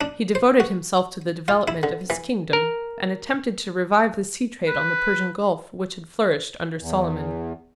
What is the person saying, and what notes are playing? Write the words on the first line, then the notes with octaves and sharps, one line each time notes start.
He devoted himself to the development of his kingdom, and attempted to revive the sea trade on the Persian gulf which had flourished under Solomon.
D4
C5
F#4
F4
E4
D3
E3
A#4
B4
E2